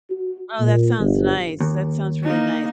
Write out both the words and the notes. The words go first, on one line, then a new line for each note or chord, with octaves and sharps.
Oh, that sounds nice, that sounds really nice.
F#4
A#2
G1
D#2
A#3 D#4